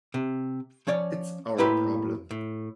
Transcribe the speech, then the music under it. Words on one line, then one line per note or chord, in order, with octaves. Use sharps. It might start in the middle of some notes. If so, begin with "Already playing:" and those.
It's our problem.
C3
F3 C#4 C#5 D5
A2 A#3 E4 G4 B4 C6
A2